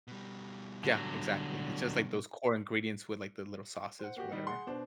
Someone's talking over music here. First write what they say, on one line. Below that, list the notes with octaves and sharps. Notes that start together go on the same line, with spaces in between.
Yeah, exactly, it's just like those core ingredients with, like, the little sauces or whatever.
B2 G3
D3 F#3
C5 F#5
A#3 F#4 G4
D#3 G3 D#4
G#4 F#5 C6
B2 D4 C5